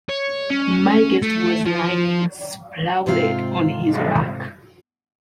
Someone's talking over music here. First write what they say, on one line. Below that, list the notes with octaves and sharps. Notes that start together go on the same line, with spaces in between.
My guest was lying sprawled on his back.
C#5
C#4
A3
F3
G#2 C3 C4 E4 F4 F5